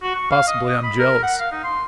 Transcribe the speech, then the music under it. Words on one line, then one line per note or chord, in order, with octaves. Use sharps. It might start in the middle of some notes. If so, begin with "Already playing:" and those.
Possibly I am jealous.
F#4
C#6
F5
D#5
D#5
B5
A#4
F#5
F5
D#4
C6